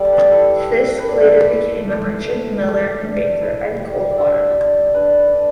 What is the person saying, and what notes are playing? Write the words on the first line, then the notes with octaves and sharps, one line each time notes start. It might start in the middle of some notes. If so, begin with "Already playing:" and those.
Fisk later became a merchant, miller, and banker in Coldwater.
Already playing: G3 A4 D5
B4
E4 A4
A3 B4
B4
E4 D5
E4
A3
A3
A3
D4
E4
G3
D5
D4 E5
D4
D4 B4
D4